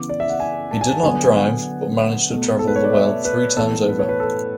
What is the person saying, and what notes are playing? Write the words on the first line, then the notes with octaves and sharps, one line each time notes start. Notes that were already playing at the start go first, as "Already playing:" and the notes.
He did not drive but managed to travel the world three times over.
Already playing: C#3 E3 B3 D6
D5
E5
F#5
G#5
A5
G#5
A5
D3 F#3 B3 G#5
G#5
F#5
B2 A3
A4
B4
C#5
D5
E5
B4
A2 E3 B3 A4
B4
C#5
B4
A4